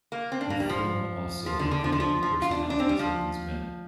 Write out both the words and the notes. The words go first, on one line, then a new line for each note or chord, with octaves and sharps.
The film also revealed the personalities of these men.
A#3
C4
D4
A#3
G3
F3
F3
D3
D3
F3
D3
F3
F3
F4
D4
D4
C4
G3
F3